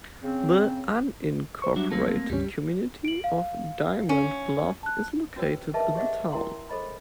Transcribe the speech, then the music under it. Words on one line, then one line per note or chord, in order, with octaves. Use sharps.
The unincorporated community of Diamond Bluff is located in the town.
C#3 C4
C5 C#6
F#3 G3 D4 F#4 E5
A3 A#3 C4
C#2 G2 G3 C#4
D7 F#7
F5
C#4
A5 F#6
C#4 F#4 B4 C#5 G5 E6
G#4 A#4 B4 D#5 E5 A5
G4 G#4 C#5 D#5 E5 F#5
E4 A#4 G5 A#5 C6
G#4 A4 C5 D#5 B5